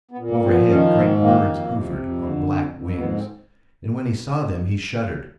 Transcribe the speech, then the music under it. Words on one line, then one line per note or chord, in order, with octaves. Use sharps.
Overhead great birds hovered on black wings, and when he saw them he shuddered.
B3
A#2
A#3
F3 C4
B3
D#3 C#4
G#2 C4
D#3 A#3
F2
C3
F2
D3
F2
F2
G#2 B3
C4